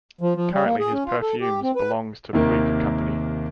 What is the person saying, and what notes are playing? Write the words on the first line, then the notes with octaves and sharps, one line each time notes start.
Currently his perfumes belongs to Puig company.
F3
F3
G3
A#3
G#4
C#4
F4
A4
G4
C4
B4
D#2 C3 D#3 A#3